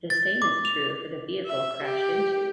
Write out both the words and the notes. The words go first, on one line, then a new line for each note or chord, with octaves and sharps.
The same is true for the vehicle crashed into.
A6
D6
F7
E5
G4